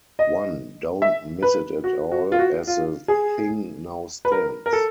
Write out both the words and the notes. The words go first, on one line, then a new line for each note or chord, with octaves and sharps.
One don't miss it at all as the thing now stands.
D#5
E5
B4
F#4
F#4
F4
F#4
F4
G#4
B4
A#4
A#4
A4